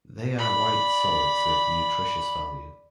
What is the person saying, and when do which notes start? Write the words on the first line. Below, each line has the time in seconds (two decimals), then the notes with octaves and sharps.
They are white solids of nutritious value.
0.37 D5 B5